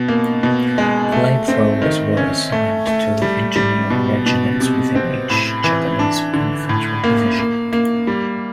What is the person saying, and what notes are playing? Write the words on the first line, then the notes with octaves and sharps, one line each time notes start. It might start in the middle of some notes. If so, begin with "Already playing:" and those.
Flamethrowers were assigned to engineering regiments within each Japanese infantry division.
Already playing: B2
A#3
B2
G#3
A3
C4
D#3
C#4
A3
A3
G3
G3
B2
B2
C3
C4
A2
E3
D4
D3
A2
A#3
A#3
A#3
G3